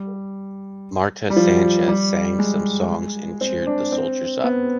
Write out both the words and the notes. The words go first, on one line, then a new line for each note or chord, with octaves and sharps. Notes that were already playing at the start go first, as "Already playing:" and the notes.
Marta Sanchez sang some songs and cheered the soldiers up.
Already playing: G3
G3
F3
G3
G#3
C4
D4
C4
B3